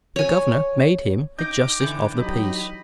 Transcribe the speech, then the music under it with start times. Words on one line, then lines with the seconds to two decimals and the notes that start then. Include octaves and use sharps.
The governor made him a justice of the peace.
0.16 C#5 G#5
1.39 D#4 G4 D6 G6 A#6
1.80 D3 E3 G6
2.17 F#3 D#4 G4 D#5 B5